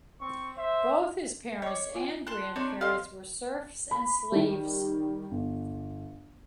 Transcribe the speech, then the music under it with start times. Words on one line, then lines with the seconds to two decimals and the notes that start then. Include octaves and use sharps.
Both his parents and grandparents were serfs and slaves.
0.21 C4 C#6
0.58 C5 E5
1.62 C#5 D#5 D6
1.95 F4 G#5
2.27 A5 C6 F#6
2.56 C4 D4 D#4 C#5 C6
2.81 G4 A4 D#5 F5 C6
3.91 B5
4.32 D#3 G3
5.31 G1